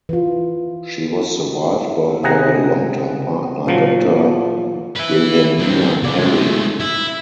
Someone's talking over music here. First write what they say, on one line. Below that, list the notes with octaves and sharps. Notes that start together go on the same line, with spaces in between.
She was survived by her longtime partner, Doctor Wilhelmina Perry.
E3 F4
C3 G#4 F#5 A#5
A#2 F3 F#3
B4 E5
C#2 C4
C#3 D5
G#3 A3
E4